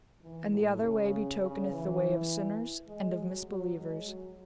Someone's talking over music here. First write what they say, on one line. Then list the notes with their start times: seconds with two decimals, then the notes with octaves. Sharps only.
And the other way betokeneth the way of sinners and of misbelievers.
0.21 E3
0.51 A2
0.80 C#3
1.40 C#3
1.69 E3
2.88 G#3
3.18 F#3
3.47 F#3
3.77 G#3
4.05 F#3